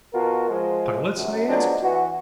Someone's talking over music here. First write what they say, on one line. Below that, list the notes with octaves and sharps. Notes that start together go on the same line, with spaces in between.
"Pilots?" I asked.
B2 F4 F#4 A#4
F3 G#3
F#2
F3 F#3 G#3 B3 D4
E3 F#4